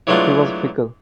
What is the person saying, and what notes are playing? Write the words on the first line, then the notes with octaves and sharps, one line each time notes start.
He was fickle.
E3 F#3 G#3 A3 D4 F4